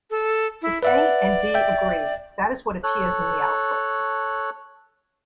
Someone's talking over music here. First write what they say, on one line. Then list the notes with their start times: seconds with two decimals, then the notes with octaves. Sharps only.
If "A" and "B" agree, that is what appears in the output.
0.10 A4
0.62 E4
0.83 B4 D5 E5 F#5
1.55 E5 G5
2.84 A4 C#5 F#6